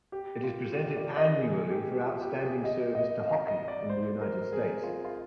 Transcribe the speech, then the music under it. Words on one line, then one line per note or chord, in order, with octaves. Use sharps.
It is presented annually for "outstanding service to hockey in the United States".
G4
F4
G4
D5
D#5
G#4
G4
F4
G4
G#4
D#5
D#5
D#5
F5
D#5
D5
C5
A#4
G#4
F4
F4